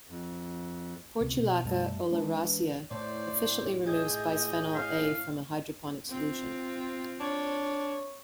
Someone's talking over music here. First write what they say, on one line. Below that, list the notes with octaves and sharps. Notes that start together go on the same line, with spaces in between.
"Portulaca oleracea" efficiently removes bisphenol A from a hydroponic solution.
F2
C#2 C3 B3
B2
F#2 G3 A3
E3 G#3 D4
A2 C5 D5
G#4 D#5 G6 G#6
F5
C4 F4
D4 C#5